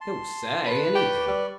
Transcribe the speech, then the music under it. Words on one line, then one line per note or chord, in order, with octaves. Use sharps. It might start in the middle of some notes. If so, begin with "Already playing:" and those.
He'll SAY anything.'
A5 C6
B4
G4 D5 B5 C#6
G3